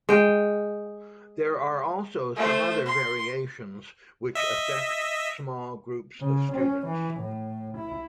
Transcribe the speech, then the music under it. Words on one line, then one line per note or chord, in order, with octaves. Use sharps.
There are also some other variations which affect small groups of students.
G#3 G5
A3 C5
C6
D#5 E5
C#3
C#4
E3
A2
E4